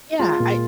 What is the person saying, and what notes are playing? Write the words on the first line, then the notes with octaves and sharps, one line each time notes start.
Yeah, I
G#3 F4
A#2